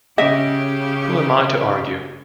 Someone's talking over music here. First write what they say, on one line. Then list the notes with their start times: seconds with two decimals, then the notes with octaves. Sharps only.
Who am I to argue?
0.18 C#3 G4 D#5 E5